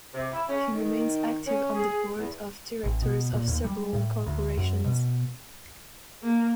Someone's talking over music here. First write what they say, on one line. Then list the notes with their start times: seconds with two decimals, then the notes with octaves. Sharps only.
He remains active on the board of directors of several corporations.
0.14 C3
0.32 E4
0.49 C#4
0.73 D#3
1.46 C#4
1.74 G#4
2.17 E2
2.83 A1
3.02 B2
3.33 A#2
3.48 D#2
3.64 G3
3.93 A2
4.26 D2
4.57 F#2
4.84 B2
6.23 A#3